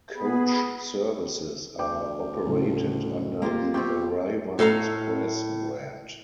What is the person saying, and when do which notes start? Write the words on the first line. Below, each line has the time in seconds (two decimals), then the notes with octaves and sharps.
Coach services are operated under the Arriva Express brand.
0.16 B3 G#4 B5
1.79 D2 D5 G5 D6
2.46 A2 C#3 G3
3.42 A#3 F4 G4 C6
3.74 B2 C4 F4 G4 C#6 G6
4.59 A2 A4 F5 A#5